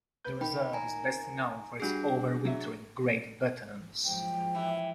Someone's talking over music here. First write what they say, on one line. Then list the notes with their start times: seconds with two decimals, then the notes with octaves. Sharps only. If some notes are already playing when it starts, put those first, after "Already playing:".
The reserve is best known for its over-wintering great bitterns.
0.25 B4 G6
0.41 D#3 G5 B5
0.73 G#5 A#5
1.80 G3 D4 F#4 G#4 C7
2.45 F#3 E5
4.05 F3 F#3 G#3 G5
4.55 E3